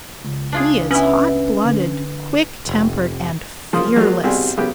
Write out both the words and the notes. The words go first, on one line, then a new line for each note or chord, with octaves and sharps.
He is hot-blooded, quick-tempered and fearless.
C#2
D4 F4 G#4
B3 C#4 E4
D3
F1
C#3 F3 A#3 F5 C6 D#6
F3 F#3 G#3 A#3
C2 B2 G3 C4 G#4
B1 C#3 B3 G4 G5